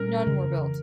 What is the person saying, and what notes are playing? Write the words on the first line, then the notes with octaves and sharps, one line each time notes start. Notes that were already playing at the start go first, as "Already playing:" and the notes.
None were built.
Already playing: A#2 G3 C#4 A#4
F2 C#3 E3